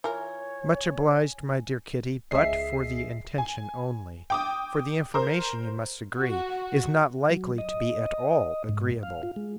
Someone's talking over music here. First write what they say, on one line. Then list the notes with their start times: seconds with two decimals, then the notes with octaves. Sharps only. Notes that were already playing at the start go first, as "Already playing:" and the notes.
"Much obliged, my dear Kitty; but for the intention only--for the information, you must agree, is not likely to be at all agreeable."
0.04 E3 F4 A#4 C#5 G#5
2.31 C#2 G#4 D#5 E5 C7
3.38 G#5
4.30 G5 D6 D#6
5.14 A#4 C5
6.20 F#4
7.30 F#3
7.58 D#5
8.69 G#2
9.03 F5
9.23 F4
9.36 G#3